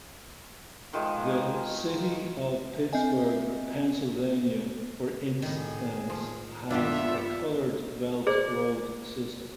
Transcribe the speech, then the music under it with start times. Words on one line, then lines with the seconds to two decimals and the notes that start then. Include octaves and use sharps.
The city of Pittsburgh, Pennsylvania, for instance, has a colored belt road system.
0.93 D#3 F3 G#3
2.93 C4 D#5 E5 G#5
5.42 A2 D#3 G#4
6.10 F3
6.70 G2 D#3 G3 B3 D4 F4 G4 E5
8.27 G#4 C5 D5